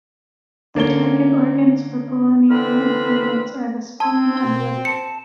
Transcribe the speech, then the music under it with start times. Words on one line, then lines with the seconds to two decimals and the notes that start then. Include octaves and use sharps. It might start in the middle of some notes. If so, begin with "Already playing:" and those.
The target organs for polonium in humans are the spleen and liver.
0.75 D3 A#3 C#4 C#5 G7
2.50 D3 E3 C4 B4 B5 F6
4.00 C4 A5 C6 E6 G#6
4.43 B2
4.85 A5 C#7